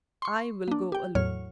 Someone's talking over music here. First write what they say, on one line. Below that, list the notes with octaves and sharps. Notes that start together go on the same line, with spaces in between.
"I will go alone."
C6 C#6
A#3 D4
G4 G5
E2 A2 F#3 C#5 F6